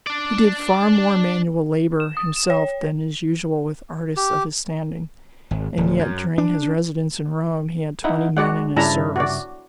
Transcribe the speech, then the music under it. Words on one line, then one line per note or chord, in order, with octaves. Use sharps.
He did far more manual labor himself than is usual with artists of his standing, and yet, during his residence in Rome he had twenty men in his service.
D4 D5
E7
D#6
E7
C#5
G4
G#1
D1
F#2
D4
D#4 E4 F#5
G#3 F#4 D5 F#5
G2 C#3 D4 E4 E5 A#5
F#4 D5